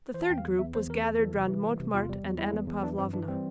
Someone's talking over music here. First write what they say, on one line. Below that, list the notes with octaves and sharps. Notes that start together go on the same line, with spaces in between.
The third group was gathered round Mortemart and Anna Pavlovna.
E3 C5
A5
E2 G5
F5
E2
E2 E5
E2 C5
E3 A#4
E2 A4
E3
C3
E3
G3
C3
E2 F4
G3
E2
G3 E4
E2
E2
E3 D4
G2 C4
E3 D4
G3 C4